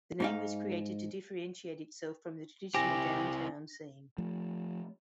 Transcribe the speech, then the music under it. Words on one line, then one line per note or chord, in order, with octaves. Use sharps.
The name was created to differentiate itself from the traditional downtown scene.
G#2 D#4 F5
C4 E4 G4 C5 G#5 A#6
F3 A3